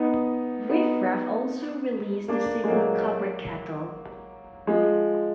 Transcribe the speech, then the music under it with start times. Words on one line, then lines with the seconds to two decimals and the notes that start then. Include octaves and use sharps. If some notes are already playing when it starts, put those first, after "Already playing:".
Riff Raff also released the single "Copper Kettle".
Already playing: B3 D#4
0.69 B3 D#4
2.28 A#3 D4
2.64 G#3
2.68 F#3 A#3
4.67 F3 G#3